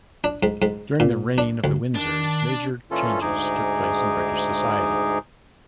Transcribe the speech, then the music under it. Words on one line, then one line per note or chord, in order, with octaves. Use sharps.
During the reign of the Windsors, major changes took place in British society.
D4
G#2
G#2
A#2
D4
D2
D#3 D4
A#2 E3 C#4 F4 A4
D2 G#2 G#3 D#4 G#4 D6